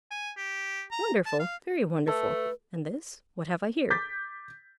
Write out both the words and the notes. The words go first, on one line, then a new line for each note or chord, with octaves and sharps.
Wonderful, very wonderful!--And this--what have I here?
G#5
G4
A#5
A5
F5
A3 A4 B4
D6 G6 A6 B6